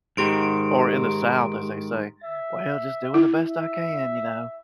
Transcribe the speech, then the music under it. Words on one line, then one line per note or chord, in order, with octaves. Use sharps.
Or in the South, as they say, "Well, just doing the best I can, you know,
G#2 D#3 G4 C6 D7
E5
E4
E5